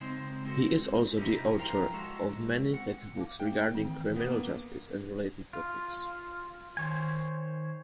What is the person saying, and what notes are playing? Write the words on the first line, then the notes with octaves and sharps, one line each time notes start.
He is also the author of many textbooks regarding criminal justice and related topics.
C#3 G#3 C4 D#4
G#3 C4 F#4 A4
C3 C#4 D#4 E4 G4
F3 F4 A#4 G5 A#5
G#3 F#4 A4
C4 F#5
F5 D6
A3 G5
D#3 E3 C4
A#3 B3
F4
D#3 C5 C#5 G#5